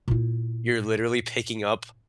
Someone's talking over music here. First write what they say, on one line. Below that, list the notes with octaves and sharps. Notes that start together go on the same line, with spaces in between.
you're literally picking up
A#2 E4